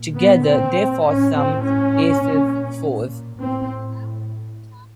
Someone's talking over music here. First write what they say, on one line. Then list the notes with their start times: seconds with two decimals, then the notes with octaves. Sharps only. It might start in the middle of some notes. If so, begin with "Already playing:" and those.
Together, they fight some of Ace's foes.
Already playing: A#2
0.17 B3
0.46 C4
1.05 A2 C#4
1.35 C4
1.63 C#4
2.22 A#2
3.40 A2 C4